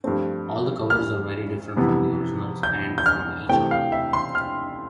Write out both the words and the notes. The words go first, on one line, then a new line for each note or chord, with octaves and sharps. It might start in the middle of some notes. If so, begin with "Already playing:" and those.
All the covers are very different from the originals - and from each other.
G2 F3 A3 C4
F6
F2 C3 E3 B3
G6
G6
F6
C3 E3 A3 C4 G5
F5
E5
C6
F6